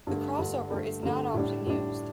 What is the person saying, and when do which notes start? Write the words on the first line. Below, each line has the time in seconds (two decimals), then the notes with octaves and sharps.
The crossover is not often used.
0.07 G2 D3 A3
0.39 G2 D3 A3
0.71 G2 D3 A3
1.03 G2 D3 A3
1.34 A2 G3 D4
1.67 A2 G3 D4